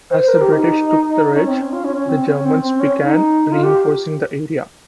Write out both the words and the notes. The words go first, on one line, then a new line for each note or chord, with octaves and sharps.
As the British took the ridge, the Germans began reinforcing the area.
C5
C5
A#4
G4
D#4
C#4
C4
C#4
F4
C#4
C#4
C4
C#4
C4
C4
C#4
D#4
F4
G4